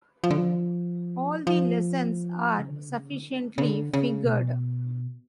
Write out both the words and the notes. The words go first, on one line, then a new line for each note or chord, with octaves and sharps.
All the lessons are sufficiently fingered.
F3
D3
F3
F3
C#3
D3
C#3
D3
C#3
D3
C#3
B2